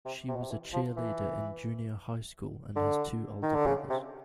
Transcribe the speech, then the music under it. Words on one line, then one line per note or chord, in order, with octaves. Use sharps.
She was a cheerleader in junior high school and has two older brothers.
C3
C3
B2
C3
E3
F3
E3
D3
D#3
D3
C#3
C3